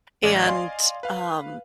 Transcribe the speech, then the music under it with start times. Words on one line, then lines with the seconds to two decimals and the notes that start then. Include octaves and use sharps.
and, um,
0.23 A1 D5 D6 G#6
0.46 D5 D#5 F5 G#5 C6
1.03 B4 F5